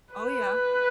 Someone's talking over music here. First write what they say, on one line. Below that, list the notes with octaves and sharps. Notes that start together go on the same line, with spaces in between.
Oh, yeah.
B4